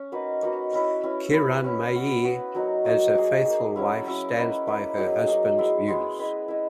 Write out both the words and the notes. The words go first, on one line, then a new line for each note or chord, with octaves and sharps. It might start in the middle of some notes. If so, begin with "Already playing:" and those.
Kiranmayee as a faithful wife stands by her husband's views.
Already playing: C#4
A#3 D#4 F#4 B4
A#3 D#4 F#4 B4
C#4 E4 B4
C#4 E4 B4
C#4 E4 B4
C#4 E4 B4
B3 F#4 B4
B3 F#4 B4
F#3 A#3 D#4 F#4
F#3 A#3 D#4 F#4
A#3 D#4 G#4
A#3 D#4 G#4
F#3 C#4 E4
F#3 C#4 E4
A#3 E4 B4 D#5
A#3 E4 B4 D#5
F#3 A#3 D#4 G#4
F#3 A#3 D#4 G#4
G#3 B3 E4 G#4
G#3 B3 E4 G#4
E4 B4 D#5
E4 B4 D#5